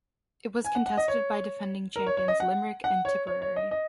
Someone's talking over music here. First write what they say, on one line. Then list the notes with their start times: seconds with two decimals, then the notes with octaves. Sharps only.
It was contested by defending champions Limerick and Tipperary.
0.65 G#5
0.75 F#5
0.86 F#5
0.97 D#5
1.08 C#5
1.96 A#4
2.07 C#5
2.17 C#5
2.28 D#5
2.40 F#5
2.84 F#5
3.05 C#5
3.27 C#5
3.42 C#5
3.56 D#5
3.71 D#5